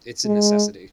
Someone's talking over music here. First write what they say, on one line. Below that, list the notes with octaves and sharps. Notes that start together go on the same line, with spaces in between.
it's a necessity.
G#3